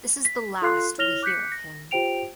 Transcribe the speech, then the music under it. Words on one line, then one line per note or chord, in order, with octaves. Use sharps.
This is the last we hear of him.
B6
F4 A4 F5 C6 F#6 C7
E4 C#5 F6 A#6 F7 G7
D6 F#6 G6 B6 C#7
A#6
F4 G4 C5 G5 D7 F7